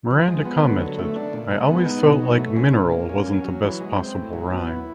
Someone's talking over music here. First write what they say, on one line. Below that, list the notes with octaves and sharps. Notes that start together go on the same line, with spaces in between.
Miranda commented: I always felt like 'mineral' wasn't the best possible rhyme.
F3
G#3
B3
D3
F#3
A3
D4
A#2
G#3
B3
D#4
B2
F#3
A3
C#4
A#2
A#3
C#4
F#3
F#3
E3
G#3
C4
A2
F#3
B3
E4